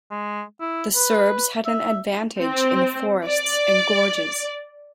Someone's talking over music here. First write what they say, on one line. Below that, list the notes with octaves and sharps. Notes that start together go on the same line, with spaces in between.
The Serbs had an advantage in the forests and gorges.
G#3
E4
B4
E5
C4
D5